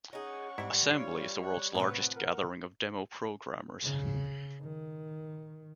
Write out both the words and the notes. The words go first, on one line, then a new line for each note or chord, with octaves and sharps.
Assembly is the world's largest gathering of demo programmers.
C#4 D#4 G#4 F#5 C#6
G#2 E3 G3 C4 E4
D4 F4 C#5
C#5 F#6
A2 C3 F3 B3 C4 B4 C#5
A#4 F#5
C#3
D#3